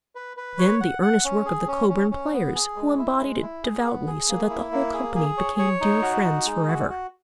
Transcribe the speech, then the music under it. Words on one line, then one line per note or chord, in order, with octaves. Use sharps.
Then the earnest work of the Coburn Players who embodied it devoutly, so that the whole company became dear friends forever.
B4
B4
C#5
F#5
F#5
C#4
G#4
C#4
C#4
C#4
B3
G#4
G#3
E4
G#3
E4
G#4
B3
G#4
A#3
E4
A#3
G#4
G#4
C#5
C#5
D#4
F#4
D#4
G#3
F#4
F#4